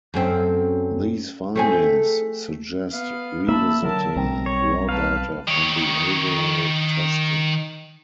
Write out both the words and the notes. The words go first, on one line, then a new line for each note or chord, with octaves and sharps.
These findings suggest revisiting raw data from behavioral testing.
F#2 A3 C4
A3 C4 G#4
B3 F5
A#3 E5 A5 B5
D3 F#3 A#4 A5
B1 G3 C4 A#5
C#5
B4 F5 A5
D#3 C#5